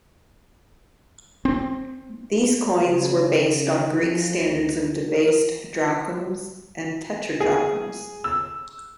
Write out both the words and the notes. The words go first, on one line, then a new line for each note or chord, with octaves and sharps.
These coins were based on Greek standards of debased Drachms and Tetradrachms.
C4
C#3
C#3
F3
D2
A#4
G#4
E6